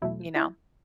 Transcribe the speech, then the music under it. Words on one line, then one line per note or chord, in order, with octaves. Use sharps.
You know?
E2 B2 F#3 A3 E4
E4